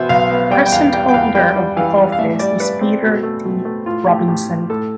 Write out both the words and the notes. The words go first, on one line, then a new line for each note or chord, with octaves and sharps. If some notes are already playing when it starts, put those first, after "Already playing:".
The present holder of the office is Peter D. Robinson.
Already playing: B2 E3 B3 C5 E5
B1 F5
B3
G3 G5
G5
E2 F5
G3 G5
G5
E2 F5
G3 G5
G3
E3 F5
G3
F5
A2 E5
G3 D5
G3 B4
C4
B2 A4
A3
B2
A3
A2 F4
A2 G4
A2 G4
A2
A2 A4